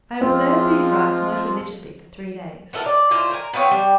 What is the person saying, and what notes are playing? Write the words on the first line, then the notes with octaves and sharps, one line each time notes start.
I observed these rites most religiously for three days.
F3 G#3 C4 F4
B3 E4 A4 A#4
D5
A2 F4 C5
A#4 G#5
B3 C4 F4 C#5
G3